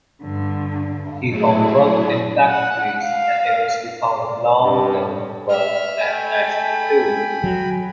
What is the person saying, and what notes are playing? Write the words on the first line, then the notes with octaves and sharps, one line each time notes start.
He found work in factories, and eventually found long-term work at National Tool.
G2 D3
A2 F#3 A3 E4 G#4
F#5
F5
D5
G2
E5 F6
A3 G5 G#5 B5
F#3